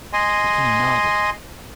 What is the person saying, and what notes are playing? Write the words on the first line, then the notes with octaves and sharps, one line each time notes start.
The king nodded.
D#5 G#5 C6